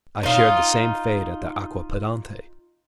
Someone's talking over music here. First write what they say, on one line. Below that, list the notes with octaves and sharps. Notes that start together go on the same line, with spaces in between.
"I shared the same fate at Aquapendente."
D#4 F4